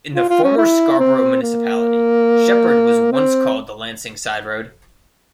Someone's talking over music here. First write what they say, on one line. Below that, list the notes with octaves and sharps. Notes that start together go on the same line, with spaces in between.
In the former Scarborough municipality, Sheppard was once called the Lansing Sideroad.
F4
F4
C#4
E4
C4
A#3
C4